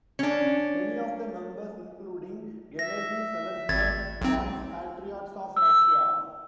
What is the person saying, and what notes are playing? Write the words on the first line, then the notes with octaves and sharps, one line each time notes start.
Many of the members including Gennady Seleznev joined Patriots of Russia.
C#4 D4
E5 A#6
G#1 G#6 A6
B1 C4 D#4
E6